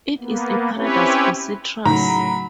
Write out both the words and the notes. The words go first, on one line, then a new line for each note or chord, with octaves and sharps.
It is a paradise for citrus.
A#3 B3
C4 C#4 E4 G4 B4 C#5
A2 C#3 F#3 A3 D#4 A#5 B5